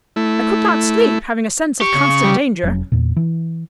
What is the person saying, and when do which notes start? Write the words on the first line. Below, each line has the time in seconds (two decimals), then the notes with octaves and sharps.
I could not sleep, having a sense of constant danger . . . .
0.16 A3 E4
1.81 G4 C#6
1.94 C#3
2.24 G3
2.63 F1 F#3 C#4
2.92 E2 A#2
3.16 E3